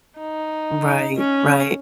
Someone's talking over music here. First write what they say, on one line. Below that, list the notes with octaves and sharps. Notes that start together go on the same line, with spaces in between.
Right, right.
D#4
C#4